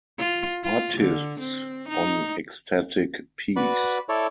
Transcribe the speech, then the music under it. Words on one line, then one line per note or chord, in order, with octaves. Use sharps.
Artists on Ecstatic Peace!
F4
F4
D3
C4
D#4
F#4 B4 D5 B5
E4 A4 C#5 D5